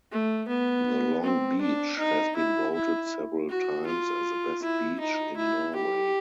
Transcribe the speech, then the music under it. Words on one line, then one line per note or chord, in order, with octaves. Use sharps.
The long beach has been voted several times as the best beach in Norway.
A3
B3
C4
D4
D#4
E4
E4
F#4
F4
E4
D#4
E4
G4